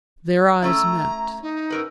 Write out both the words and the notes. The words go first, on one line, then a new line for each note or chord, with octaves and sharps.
Their eyes met.
A3 C#4 E4 A#5
D#4
F#2 A#4 B4